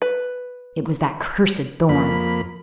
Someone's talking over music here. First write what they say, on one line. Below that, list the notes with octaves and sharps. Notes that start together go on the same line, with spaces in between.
"It was that cursed Thorn."
B4
F2 A#3 B5